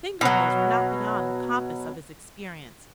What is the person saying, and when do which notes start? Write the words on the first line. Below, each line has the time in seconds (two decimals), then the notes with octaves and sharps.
Finger-bowls were not beyond the compass of his experience.
0.21 B2 F#3